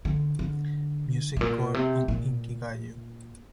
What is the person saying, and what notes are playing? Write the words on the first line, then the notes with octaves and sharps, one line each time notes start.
Music Core and Inkigayo.
D3
D3
G2
A#2
C3
A#2